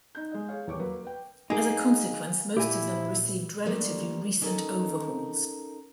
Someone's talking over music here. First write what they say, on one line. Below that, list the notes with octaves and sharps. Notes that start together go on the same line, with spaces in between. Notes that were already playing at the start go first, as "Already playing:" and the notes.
As a consequence most of them received relatively recent overhauls.
D#4 G6
G#3 D#5
G#4 C#5 F5
D#1 E2 C#5 C#6 D6
F#3 A#3 B4
B4 G5
A#3 D#4 G#4 G#5
A#2 E4 G4 G#5
D3 F3 G3 A3 A#3
C#4 D#4 A4 A#4